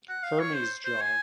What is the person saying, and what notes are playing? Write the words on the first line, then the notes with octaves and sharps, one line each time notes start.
Hermes Jaw.
F#5
F5
C#5
C5
C5
G#5